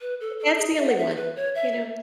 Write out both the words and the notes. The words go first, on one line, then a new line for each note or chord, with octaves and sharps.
That's the only one, you know?
B4
A4
A4
G#4
E5
F#5
E5
B4
C#5
E5